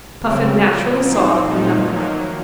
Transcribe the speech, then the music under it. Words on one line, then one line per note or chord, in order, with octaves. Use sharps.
Puffin naturally saw it in another light.
C#3 F#3 C4
A#2 F3 A#3
F#3 C4 D#4
A#2 F3 A3 D#4
D#3 F#3 A#3